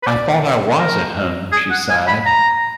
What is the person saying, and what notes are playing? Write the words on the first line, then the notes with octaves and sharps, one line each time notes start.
'I thought I was at home,’ she sighed.
B4
D5
A#4
G#4
F#5
G#5
B5
A#5